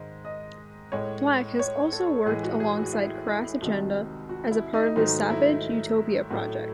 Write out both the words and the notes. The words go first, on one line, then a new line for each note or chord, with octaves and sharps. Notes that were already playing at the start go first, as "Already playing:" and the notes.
Black has also worked alongside Crass Agenda as part of the "Savage Utopia" project.
Already playing: G#2 D#3 G#3
D#5
A2 G#3 C#5
C#5
A4
A2 E3 G#3 G#4
F#4
G#4
F#4
E4
E4
C2 C3 D#3 G#3 F#4
F#4
E4
D#4
G#2 D#3 F#3 A3 D#4
E4
A2 F#3 A3